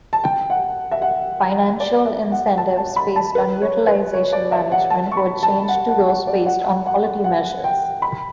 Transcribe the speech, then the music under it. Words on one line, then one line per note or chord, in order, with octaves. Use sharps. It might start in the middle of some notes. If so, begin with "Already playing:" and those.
Financial incentives based on utilization management were changed to those based on quality measures.
A5
G5
F#5
E5
F#5
D5
E5
F#5
A5
A5
B5
A5
B4
C#5
B4
C#5
D5
E5
F#5
A5
C#6
B5
A5
F#5
F#5
F#5
D5
F#5
F#5
F#5
G5
B5